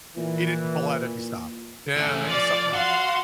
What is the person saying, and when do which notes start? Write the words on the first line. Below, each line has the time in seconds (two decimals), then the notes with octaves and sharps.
he didn't pull out any stops. Yeah, it was something else.
0.17 A#2 E3
1.97 A3 C#4
2.28 F3 D5
2.73 F#4 F5 C6